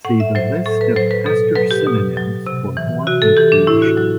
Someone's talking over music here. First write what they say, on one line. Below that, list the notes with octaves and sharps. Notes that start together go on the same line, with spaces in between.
See the List of "Aster" synonyms for more information.
A2 F#5
E5
F#3 C5
A2 A4
B4
F#3 C5
B4
B2 A4
F#3 B4
G4
B2
F#3
C3
E3
C3 F#4
A4
E3 G4
D4
A2 E4
F#4
F#3 F#4